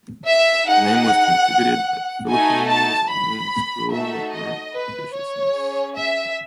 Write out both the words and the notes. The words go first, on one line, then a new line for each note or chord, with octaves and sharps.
The name was contributed by the Philippines and means cruel or viciousness.
E5
D#4 G#4 F#5
A3 D#4 F#4 A4 G#5
A5
B5
A3 D#4 F#4 A4 E5
D#5
B4
C#5
C#4 G#4
E5